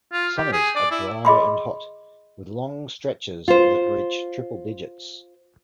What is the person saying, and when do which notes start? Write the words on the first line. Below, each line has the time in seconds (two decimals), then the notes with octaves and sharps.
Summers are dry and hot, with long stretches that reach triple digits.
0.13 F4
0.37 G4
0.53 G#4
0.76 D5
0.91 E4
1.25 G#4 D#5 B5 C6
3.48 F4 C5